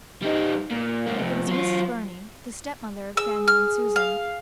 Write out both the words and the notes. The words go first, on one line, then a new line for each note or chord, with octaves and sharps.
It was Mrs. Burney, the stepmother of Fanny and Susan.
G3 D#4
A#2
G#2 A#3
F2 C3
F#3 F4
G#4 E6
F6
F5